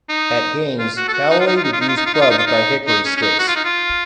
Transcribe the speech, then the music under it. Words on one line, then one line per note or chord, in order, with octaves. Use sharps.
At games, Callaway would use clubs by Hickory Sticks.
D#4
F4
F#4
A4
F#4
D#4
F4
D#4
F4
D#4
F4
D#4
F4
D#4
F4
D#4
F4
D#4
F4
D#4
D#4
C#4
C#4
D#4
F#4
F4
D#4
F4